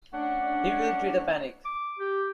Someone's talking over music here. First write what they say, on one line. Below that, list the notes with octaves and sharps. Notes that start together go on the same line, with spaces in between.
He will create a panic.
A3 C#4 D4 F#5
D6
G4